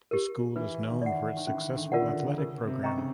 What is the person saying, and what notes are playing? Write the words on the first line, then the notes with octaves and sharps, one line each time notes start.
The school is known for its successful athletic program.
G4 A#4
E3 B4
D#3
E3 D5 F#5
D#3
E3 C#4
D3
D#3
F4 A#4 D5 F#5
C#3
D3
C#3 A#4
C3
D#5 G5 A#5 C#6
C#3